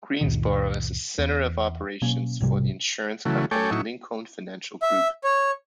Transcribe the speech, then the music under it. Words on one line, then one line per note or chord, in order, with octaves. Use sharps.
Greensboro is a "center of operations" for the insurance company Lincoln Financial Group.
C#2 F#2 A#2 D#3
E2
B2 F#3 A#3 C#4
B1 G#2 C3 G3
C#3 E3 F#3 A3
A3 A4 C#5 G5 G#5 D6
A2 F#3 D#4 E4 C#6
E5
C#5